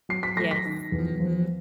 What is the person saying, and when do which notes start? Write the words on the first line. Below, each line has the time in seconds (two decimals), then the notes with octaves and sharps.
Yes, mhm.
0.09 F#3 C7
0.23 B6
0.37 A3 A#6
0.51 B6
0.65 D#3
0.92 E2
1.20 F3